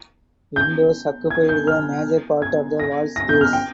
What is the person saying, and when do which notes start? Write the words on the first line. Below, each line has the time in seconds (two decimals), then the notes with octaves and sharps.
Windows occupied the major part of the wall space.
0.56 G6
1.30 G#6
1.49 G6
1.67 F6
2.42 G#6
2.80 A#6
3.16 A#6
3.29 G6
3.41 F6
3.53 G5